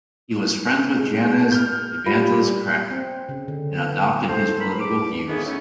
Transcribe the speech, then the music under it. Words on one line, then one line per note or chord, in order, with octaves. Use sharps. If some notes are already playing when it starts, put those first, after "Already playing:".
He was friends with Janez Evangelist Krek and adopted his political views.
G#3
F6 G6
G3 F4 B5
C4
C#3
D3
B3
A4 C5
A#4 B5
E2 D6
D#3 F3 A3 B3 C#4 G#4
F#3 A3 C#4